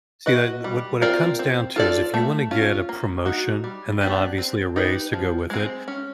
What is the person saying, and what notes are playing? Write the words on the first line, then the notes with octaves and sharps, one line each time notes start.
See, eh, what what it comes down to is if you wanna get a promotion and then obviously a raise to go with it,
F#4 B4 D#5
G3
C4 F4 A#4 D5
C4
F4 A4 D5
A3
C#4 F4
A#3
D#4 F#4
G3
B3 D4 G4
C4
D#4 G4 B4
F3
G#3 C4
C#4